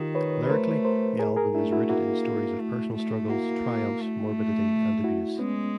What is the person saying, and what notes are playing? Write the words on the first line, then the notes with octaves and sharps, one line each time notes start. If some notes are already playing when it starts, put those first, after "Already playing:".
Lyrically, the album is rooted in stories of personal struggles, triumphs, morbidity, and abuse.
Already playing: D#3 F4 G4
B4 C#5
B4
A3 A#4 C5
A#4 C5
G#4 A#4
G#4 A#4
A3 D4 E4
E4 F#4
A#3 E4 F#4
A3
A3
A#3 E4 F#4
A3
E4 F#4
G#3 B3 C#4